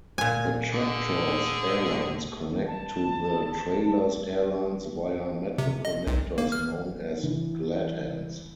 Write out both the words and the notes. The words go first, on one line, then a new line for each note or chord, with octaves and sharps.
The tractor's air-lines connect to the trailer's air-lines via metal connectors known as gladhands.
A#2 G#5
D3 G#4
A5
C3
D#5
B1
A#3
F6
E3